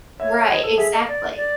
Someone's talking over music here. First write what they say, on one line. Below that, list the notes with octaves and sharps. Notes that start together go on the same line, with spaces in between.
Right, exactly.
C#5 E5
D#5
A4
G#4 E5
D#5
D5
D5